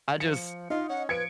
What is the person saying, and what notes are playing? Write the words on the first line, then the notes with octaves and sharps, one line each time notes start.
I just,
F3 C#7
D#4 F4
C#4 F#5
F3 B4 G#6 C#7 D7